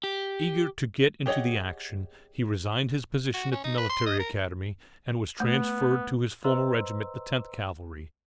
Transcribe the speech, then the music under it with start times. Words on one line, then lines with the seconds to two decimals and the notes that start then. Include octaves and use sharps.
Eager to get into the action, he resigned his position at the Military Academy, and was transferred to his former regiment, the Tenth Cavalry.
0.04 G4
1.26 G4 G#4 C#5 D#5 F#5
3.34 F#4
3.52 C#4
3.64 D#4
3.78 B4
3.90 C6
4.06 D#5
4.19 A#4
5.40 A3 B3
6.44 B4 C5 D#5 A#5 C6 E6